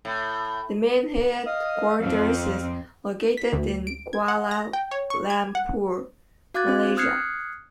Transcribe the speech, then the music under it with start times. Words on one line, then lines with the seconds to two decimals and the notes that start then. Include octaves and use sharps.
The main headquarters is located in Kuala Lumpur, Malaysia.
0.05 A2
1.46 D#5 F5 D#6
2.02 F2 C4 F5
3.37 B6
3.53 D2
3.87 D7
4.13 G#6
4.28 F#5
4.51 A#6
4.73 G5
4.91 C#5
5.10 C#6
5.30 G#6
5.55 F#5
6.54 F#4 F5 D6 F#6 G#6 A6
6.67 C4 D4 C5
6.97 D#6 F6 F#6 G#6 C7 C#7